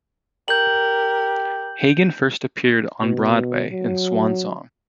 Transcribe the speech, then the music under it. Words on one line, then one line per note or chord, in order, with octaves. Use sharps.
Hagen first appeared on Broadway in "Swan Song".
G4 A#4 G6 F#7
B2
F#3